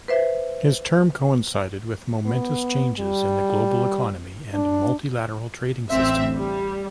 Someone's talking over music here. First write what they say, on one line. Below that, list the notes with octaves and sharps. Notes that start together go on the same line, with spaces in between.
His term coincided with momentous changes in the global economy and multilateral trading system.
B4 C5 E5
B3
G3
D4
A1 D2 C4 E5
G3